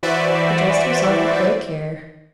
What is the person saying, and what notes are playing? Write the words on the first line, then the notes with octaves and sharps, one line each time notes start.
He dressed himself with great care.
E3 F#4 B4 C5 D5 E5